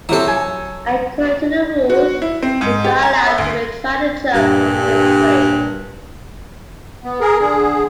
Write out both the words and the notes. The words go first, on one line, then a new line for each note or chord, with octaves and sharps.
According to the rules, he was not allowed to retry the jump after this break.
C3 F#3 E4 A4
G#5
F#4
E4
C4
G#2
G4
A#5
E5
D2
G2 A#2
B3
G#4 A#4
D3 G#4